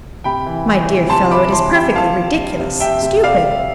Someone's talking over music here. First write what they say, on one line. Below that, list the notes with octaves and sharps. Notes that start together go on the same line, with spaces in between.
My dear fellow, it is perfectly ridiculous--stupid!
C3 G5 B5
E3
E3
C3
C3 A5 C6
E3 B5 D6
E3 A5 C6
C3 G5 B5
F3 F5 A5
F3
C3
C3
C3 E5 G5
C3
C3 D5 F5
C3